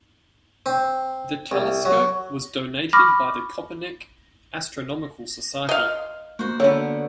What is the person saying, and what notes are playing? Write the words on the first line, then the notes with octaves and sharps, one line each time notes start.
The telescope was donated by the Kopernik Astronomical Society.
C4
C2
F#3
B5 C#6 D6 F6 A#6
D#5 F5 C6
A#3 F#4 C5
D3 B3 A4 A#4 C#5